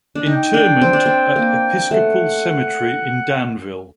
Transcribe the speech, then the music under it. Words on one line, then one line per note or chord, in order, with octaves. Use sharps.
Interment at Episcopal Cemetery in Danville.
D4
D#4 G5
D4
C4
D4
C4
A#3
A3 F#5